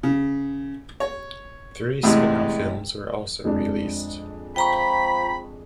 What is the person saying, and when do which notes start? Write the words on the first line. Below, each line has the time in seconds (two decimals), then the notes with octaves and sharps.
Three spin-off films were also released.
0.03 C#3
1.00 C#5
2.03 E2 A2 C3 G#3
3.45 F2 G#3 D4
4.56 F3 G5 A#5 B5 C#6